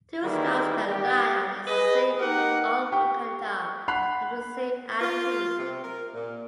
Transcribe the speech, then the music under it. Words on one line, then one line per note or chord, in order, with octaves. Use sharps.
Two stars that lie on the same almucantar have the same altitude.
D#3 E3 G3 G#3 A#3 E4
G4
G#4 B4 D#5
A#3 D#4 G4 A#4 F#5
G4 G5 C#6
F#5 B5 F#6 C7 F7
F4
C3
A#4
A#2